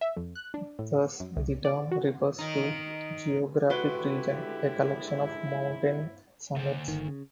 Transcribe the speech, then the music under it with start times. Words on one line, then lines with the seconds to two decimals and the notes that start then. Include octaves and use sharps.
Thus the term refers to a geographic region; a collection of mountain summits.
0.01 E5
0.17 F2
0.35 F#6
0.54 D4
0.79 A2
1.20 F#2
1.37 C2
1.65 D5
1.91 F#4
2.38 D#3 D#4
3.70 D3 G#3 E4 F#4 G4 B4 C6 D6
6.56 D3 C5
6.88 G1 D#3
7.08 C#3